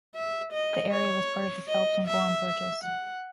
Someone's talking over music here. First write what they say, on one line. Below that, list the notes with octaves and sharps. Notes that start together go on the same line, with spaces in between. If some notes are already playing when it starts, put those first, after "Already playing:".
The area was part of the Phelps and Gorham Purchase.
E5
D#5
C#5
D#5
E5
E5
F#5